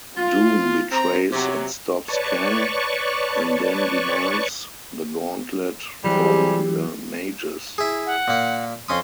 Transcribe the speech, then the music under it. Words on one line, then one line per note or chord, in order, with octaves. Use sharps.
Doom betrays and stops Kang, and then demands the Gauntlet from the Magus.
F4
C4 A#5
C3 F#3
B4 C#5 D5 A5 C#6
C3 E3 F#3 G3 G4 G#4
E4 G#4
F#5
A#2 A#3
F2 C#4 C6 D#6